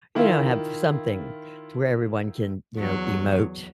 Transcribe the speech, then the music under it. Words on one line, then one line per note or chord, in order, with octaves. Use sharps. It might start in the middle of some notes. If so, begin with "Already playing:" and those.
you know, have something to where everyone can, you know, emote
D#3 E4 F4
E2 F#3